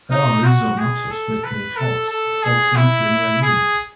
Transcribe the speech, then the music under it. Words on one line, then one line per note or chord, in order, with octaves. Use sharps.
They are rhizomatous wetland plants with alternate linear leaves.
D#4
F#4
G#4
A4
B4
A4
A4
G#4
E4
G#4